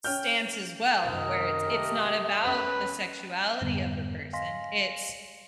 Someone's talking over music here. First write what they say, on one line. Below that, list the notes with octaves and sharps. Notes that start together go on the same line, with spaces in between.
stance as well, where it's it's not about the sexuality of the person, it's
C#4 G5 F6 G6
F#2 C3 D#3 A#4 D#5
A3 G4
E2 C#4 B4
F2 G#2 D3 G3 B3
D#5 F5 G#5 C6 A#6 B6